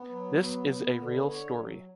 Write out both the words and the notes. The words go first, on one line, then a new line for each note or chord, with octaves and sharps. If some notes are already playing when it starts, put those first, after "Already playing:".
This is a real story.
Already playing: B3
F#3
B3
B3
D3
C#5
F#3